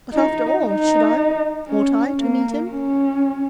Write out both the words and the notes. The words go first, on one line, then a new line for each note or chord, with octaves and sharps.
But, after all, should I, ought I to meet him?
D#4
D#4
C#4
A#3
C#4